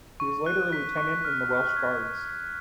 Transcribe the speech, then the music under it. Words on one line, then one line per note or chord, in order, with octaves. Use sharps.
He was later a Lieutenant in the Welsh Guards.
C#6
F#6
B6
C#6
F6
F6
G#6
F6
B6